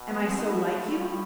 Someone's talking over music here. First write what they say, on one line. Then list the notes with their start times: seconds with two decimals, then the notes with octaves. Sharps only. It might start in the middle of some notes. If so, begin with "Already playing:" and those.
"Am I so like you?"
Already playing: B2
0.11 B3
0.25 C4
0.38 D#4
0.51 E4
0.65 A2 F#4
0.78 A3
0.91 G3
1.05 G3